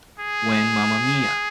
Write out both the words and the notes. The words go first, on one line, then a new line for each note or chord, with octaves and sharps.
When Mamma Mia!
G#4